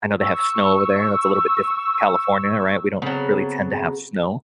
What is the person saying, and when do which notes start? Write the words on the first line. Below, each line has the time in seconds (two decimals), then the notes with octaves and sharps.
I know they have snow over there; that's a little bit different from California, right? We don't really tend to have snow,
0.20 C#6 E6
3.02 C#3 F#3 B3 C4 A4